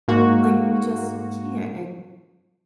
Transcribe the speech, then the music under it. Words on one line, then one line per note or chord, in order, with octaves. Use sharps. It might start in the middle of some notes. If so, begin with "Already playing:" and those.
Like, we just we can't." And
G#2 A#3 F#4